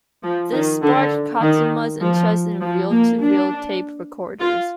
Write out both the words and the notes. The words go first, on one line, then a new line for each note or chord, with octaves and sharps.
This sparked Katsuma's interest in reel-to-reel tape recorders.
F3
D#3
D3
D#3
F3
F3
A#3
D4
F4